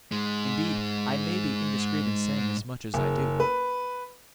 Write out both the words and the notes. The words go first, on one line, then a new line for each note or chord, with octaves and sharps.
Indeed, I may be indiscreet in saying as much as I do.
G#2 G#3
F#1
B4